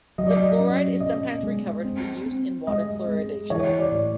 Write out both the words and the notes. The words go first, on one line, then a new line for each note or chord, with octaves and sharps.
The fluoride is sometimes recovered for use in water fluoridation.
F#3 D#5
D5
D#5
C#4
B2 D#5
G#3
C4
C4
G#3 D#5
G#3
E3 C#5
D5
A2